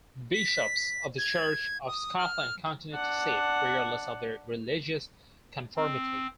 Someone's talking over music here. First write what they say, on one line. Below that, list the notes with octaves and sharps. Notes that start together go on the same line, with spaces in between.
Bishops of the Church of Scotland continued to sit, regardless of their religious conformity.
B6
G#6
D#6
F6
D4 F#5
C4